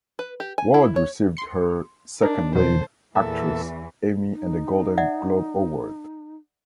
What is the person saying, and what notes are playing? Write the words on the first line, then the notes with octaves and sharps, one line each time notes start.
Ward received her second lead actress Emmy and a Golden Globe Award.
B4
G4
G#5
E4
C#5
C6 C#7
D4 D#4 A#4
E2 B2 D#3 F#3 C5 A5
E2 A#2 E3 A4 E5
D#4
D5 E5 F#5